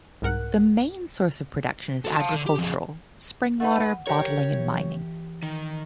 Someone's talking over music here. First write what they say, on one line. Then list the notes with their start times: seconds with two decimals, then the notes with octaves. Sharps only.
The main source of production is agricultural, spring water bottling and mining.
0.22 C2 G#2 A#4 F#5 F#6
2.05 F#4 A4
2.16 F5 A5
2.34 D3
2.46 G4
2.58 F2 G#3
3.60 A3 D#4 B4 F#5
4.07 G4 A#4 C#5
4.54 E3
5.43 D#3